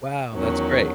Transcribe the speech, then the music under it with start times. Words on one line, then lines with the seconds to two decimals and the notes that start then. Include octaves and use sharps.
Wow, that's great.
0.34 E2 D#3 F#3 C#4